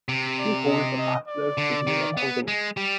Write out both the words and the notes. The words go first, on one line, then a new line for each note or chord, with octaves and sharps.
She holds a bachelor's degree in accounting.
C3
D5
D#5
D#5
D5
D3
D#3
B3
G#3
G3